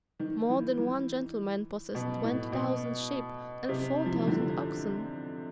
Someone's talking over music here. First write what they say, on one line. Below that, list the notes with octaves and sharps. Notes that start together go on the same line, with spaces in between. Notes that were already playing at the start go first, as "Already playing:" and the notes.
More than one gentleman possessed twenty thousand sheep and four thousand oxen.
D#3
E3
E3
B2
A2
B2
C3
F3
E3
D#3
D3